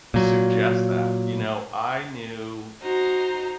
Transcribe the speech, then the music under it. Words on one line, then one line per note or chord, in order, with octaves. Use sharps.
suggest that, you know, I knew,
A#2 F#3
D#4 F#4 C5 A#5